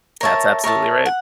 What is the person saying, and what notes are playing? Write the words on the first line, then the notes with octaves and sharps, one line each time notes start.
That's absolutely right.
A#4 C#5 E5 A5
A#4 C#5 E5 A5
F#5